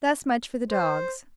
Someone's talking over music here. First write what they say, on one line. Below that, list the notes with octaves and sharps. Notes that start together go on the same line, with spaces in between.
Thus much for the dogs.
C5